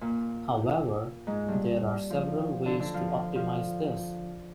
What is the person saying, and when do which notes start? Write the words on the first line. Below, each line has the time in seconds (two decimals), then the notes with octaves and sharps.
However, there are several ways to optimize this.
0.01 A#2 A#3
1.27 G#2 G#3
1.48 G2 G3
2.10 F3
2.66 D3 D4
2.80 D3 D4
2.94 F3 F4
3.36 F3 F4